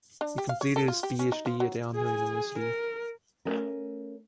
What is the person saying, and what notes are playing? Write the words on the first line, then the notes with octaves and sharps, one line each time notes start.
He completed his Phd at Andhra University.
D4
G4
F5
C#5
A4
F4
G4
C#4
D#4
F3
F#3
G#4 G#5
A#4
A3 C#4 A#4